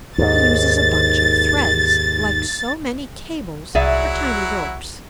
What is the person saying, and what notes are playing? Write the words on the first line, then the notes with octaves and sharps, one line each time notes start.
He uses a bunch of threads, like so many cables or tiny ropes.
D#2 G#2 A6
C2 F#3 E4 F#4 G#4 D5 E5